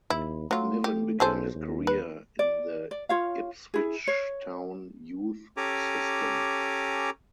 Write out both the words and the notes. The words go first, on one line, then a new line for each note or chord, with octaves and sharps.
Niven began his career in the Ipswich Town youth system.
D#2 E4
F#3 A3 F4
G4
B1 G#4 A4 C5
D#2
B4
D5
D5
F4 C#5 F5
E4 G#4
C#5
C#4 G4 A4 G#5 A#5 D6